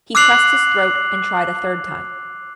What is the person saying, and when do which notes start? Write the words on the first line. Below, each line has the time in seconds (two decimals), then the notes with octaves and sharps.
He pressed his throat and tried a third time.
0.15 D6 E6 F#6 C7 F7 F#7